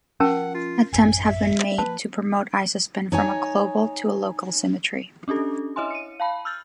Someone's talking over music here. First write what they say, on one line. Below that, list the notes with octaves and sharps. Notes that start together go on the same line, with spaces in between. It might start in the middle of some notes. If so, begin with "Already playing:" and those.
Attempts have been made to promote isospin from a global to a local symmetry.
F3 C#4 A#4 F#5 A5
F4
A1 F#2 G#5
E5
F3 A#3 B4 A5
D#4 C#5 G#5
C#4 D4 G4 A4
E4 C#5 D#5 E5 G#5 C6
C#7 D#7
F5 A5 B5
E6 F6 G6 A6